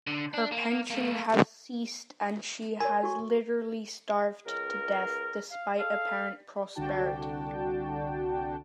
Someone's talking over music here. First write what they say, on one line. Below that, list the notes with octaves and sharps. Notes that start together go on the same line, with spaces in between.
Her pension has ceased and she has literally starved to death, despite apparent prosperity.
D3
D4
A#3
A3 A#3
A#4 C#5 G#5
F#4 A4 C#6
C#2 A#4
F5
A4 F5
C2 D3 D4 F#4 G5 A5